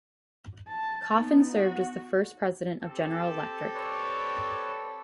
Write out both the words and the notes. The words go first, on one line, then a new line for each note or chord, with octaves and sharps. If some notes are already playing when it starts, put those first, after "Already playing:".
Coffin served as the first president of General Electric.
A5
B3 D#4
F#4
C4 G4 A4
B4 C#5 D5